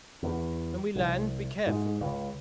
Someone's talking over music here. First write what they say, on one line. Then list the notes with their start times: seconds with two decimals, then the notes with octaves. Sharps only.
When we land, be careful.
0.23 E2
0.95 C2
1.67 G#2
2.01 C#2